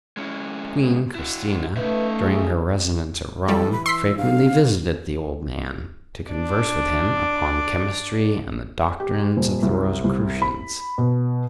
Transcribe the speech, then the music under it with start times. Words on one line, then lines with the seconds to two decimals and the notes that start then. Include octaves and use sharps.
Queen Christina, during her residence at Rome, frequently visited the old man, to converse with him upon chemistry and the doctrines of the Rosicrucians.
0.17 G#3 C#4 E4
1.15 E4 F#4
1.77 A3 C#4 D#4 B4 E5
2.23 G#4
3.48 E3 G3 A4
3.72 B5
3.86 C6 E6 B6 C7
4.18 G2 F5
6.31 D4 D5
9.00 G4
9.37 D#1
9.63 C2
10.04 C2
10.42 B5
10.98 B2